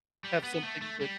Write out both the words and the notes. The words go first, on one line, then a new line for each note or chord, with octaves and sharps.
have something that
G3
B3
B3
A3
A3
G3